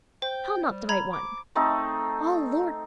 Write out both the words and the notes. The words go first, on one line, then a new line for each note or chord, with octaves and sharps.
How not the right one?... O Lord!
C5 G5
G3
A#5 B5 G#6
D6
A3 C4 D#4 A4